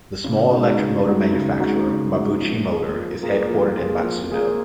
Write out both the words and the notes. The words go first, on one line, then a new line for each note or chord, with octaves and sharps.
The small electric motor manufacturer, Mabuchi Motor is headquartered in Matsudo.
C#3
G#3 D#4 F#4
C#3
G#3 D#4 F#4
C#3
G#3 D#4 F#4
C#3
G#3 D#4 F#4
F3
A#3 F4 G#4
F3
A#3 F4 G#4
F3
A#3 F4 G#4
F3
A#3 F4 G#4